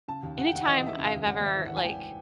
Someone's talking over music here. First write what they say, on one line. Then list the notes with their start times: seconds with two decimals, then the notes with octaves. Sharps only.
anytime I've ever, like,
0.08 C#3 A5
0.23 D#2
0.38 D#2 F#5
0.47 G5
0.53 D#2 F#5
0.67 E3 D#5
0.82 D#2 E5
0.97 C#3
1.06 F5
1.12 D#2
1.26 G#1 F#5
1.41 G#1
1.46 E5
1.56 E3
1.65 F#5
1.70 E3
1.77 G#5
1.85 G#1 G5